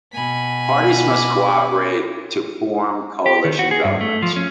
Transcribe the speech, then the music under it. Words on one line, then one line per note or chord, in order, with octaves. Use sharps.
Parties must cooperate to form coalition governments.
B2 G#5 B5
D6
G4
D#3
F#4
G#4
G2
A3
F3
C#4